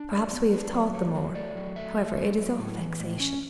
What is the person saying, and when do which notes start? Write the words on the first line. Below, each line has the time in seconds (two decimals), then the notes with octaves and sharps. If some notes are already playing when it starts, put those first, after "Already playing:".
Perhaps we have thought the more. However, it is all vexation.
Already playing: D4
0.12 F#3 D5
0.33 B3
0.52 D4 B4
0.73 F#3
0.94 A3 C#5
1.15 F#3
1.34 A3 D5
1.55 F#3
1.76 A3 E5
1.96 A3
2.17 F#3
2.37 F#3
2.58 A2
2.79 E3
3.00 A2
3.20 C#4